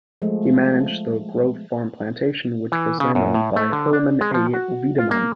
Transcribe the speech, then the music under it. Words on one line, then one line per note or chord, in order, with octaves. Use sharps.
He managed the Grove Farm Plantation which was then owned by Hermann A. Widemann.
F3 G#3 A3
E3
C#3
F#2
A2
A3
D3
D4
G#3
F3
F#4
F4
A#3